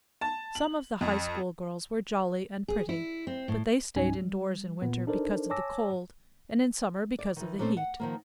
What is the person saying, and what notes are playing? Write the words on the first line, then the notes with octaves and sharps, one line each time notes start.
Some of the High-School girls were jolly and pretty, but they stayed indoors in winter because of the cold, and in summer because of the heat.
A5
F#7
F2
G#4
E4
C4
A2
C#2 G#2 G3 C#4 D#4 G#5
G3
A#2 B3
D4 D#4 A4 A#4 C5 D5
C#5 G#5 A5 D6 E6 A#6
D5
D#3 E3
A#2 A3 C4 C#4 A4 C5
F#5
D#3 F3 A#3